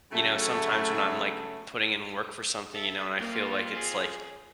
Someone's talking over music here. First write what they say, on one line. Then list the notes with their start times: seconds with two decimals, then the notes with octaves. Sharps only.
you know, sometimes when I'm, like, putting in work for something, you know, and I feel like it's, like,
0.12 C#3 F#3 A3
2.73 A4 E5
3.19 F2 A#3 F4
3.74 G#4